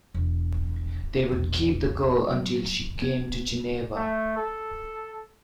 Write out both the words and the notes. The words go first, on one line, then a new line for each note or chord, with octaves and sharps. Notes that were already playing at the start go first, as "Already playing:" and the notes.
They would keep the girl until she came to Geneva.
E1
E1 A#1
G#2 F#3
B3
A3
A4